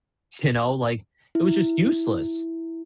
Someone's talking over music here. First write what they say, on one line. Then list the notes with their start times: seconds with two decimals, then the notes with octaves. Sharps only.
you know, like, it was just useless.
1.35 E4